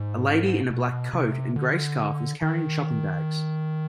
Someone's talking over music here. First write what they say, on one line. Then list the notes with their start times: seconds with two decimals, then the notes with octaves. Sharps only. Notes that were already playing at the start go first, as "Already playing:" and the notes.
A lady in a black coat and a gray scarf is carrying shopping bags.
Already playing: G#2
0.70 B2
1.13 C3
1.56 D3
2.42 D#3